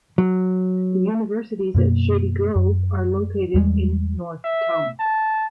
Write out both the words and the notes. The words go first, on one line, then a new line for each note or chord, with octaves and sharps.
The Universities at Shady Grove are located in North Potomac.
F#3
F#2 B2 A#3
F#2
E2 G3 G#3
E5
A5